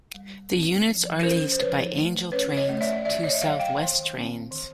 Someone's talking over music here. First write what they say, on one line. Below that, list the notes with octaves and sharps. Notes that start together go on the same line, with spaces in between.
The units are leased by Angel Trains to South West Trains.
G3
C4
F3
C#4 A#4 C5
C5
F3 B4 C#5
A3
C#4 B4 C#5
C#5 D#5
A3
D5 E5
D#3 D5 E5
C#5 D#5
E5
F#3 D#5 F5
F5 G5
D#3
C4
D#3